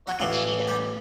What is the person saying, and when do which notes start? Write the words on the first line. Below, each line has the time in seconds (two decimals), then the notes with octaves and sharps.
like a cheetah,
0.07 F#4
0.20 A1 A2 E3 F3 F4
0.67 G3 G4